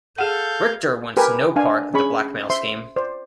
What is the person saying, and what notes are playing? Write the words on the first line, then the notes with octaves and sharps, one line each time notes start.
Richter wants no part of the blackmail scheme.
G#4 A4 F5 F#5 G6
G4 A#4 B4 G#5
D4 F5 G#5
C#4 G#4 B5 C#6
C5 E5 C6
C5 D5